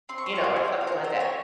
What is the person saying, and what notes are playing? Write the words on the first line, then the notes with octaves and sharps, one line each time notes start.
you know, or something like that.
C4 C6
C#6
C6
F4 G#4 C#6
C6
C4 G#5
G5
F4 G#4 C5 F5
A#4
C4 C5
C#5